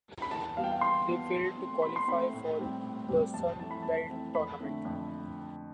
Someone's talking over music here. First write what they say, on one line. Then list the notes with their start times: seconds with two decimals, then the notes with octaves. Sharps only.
They failed to qualify for the Sun Belt Tournament.
0.22 B5
0.31 E2 A5
0.57 B2 G3 B3 F5
0.64 G5
0.72 F5
0.81 E2 C6
1.07 B2 G3 B3
1.32 B2
1.58 A3 C4
1.82 B2 B5
1.96 C6
2.08 A3 C4 B5
2.33 A2
2.59 G3 C4
2.84 A2
3.09 G3 C4
3.34 F2 A5
3.59 E3 A3 C4 A5
3.71 B5
3.82 F2 A5
4.10 E3 A3 C4
4.35 F2 B5
4.60 D3 A3 C4
4.85 F2